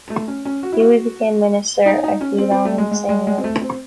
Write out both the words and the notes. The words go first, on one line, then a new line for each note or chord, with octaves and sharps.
Huie became minister at Geelong in the same year.
A3
C#4
C#4
F#4
E4
F#4
D#4
D#4
C#4
C4
C4
A3
G#3
G#3
G#3
G#3
C4
A3
C4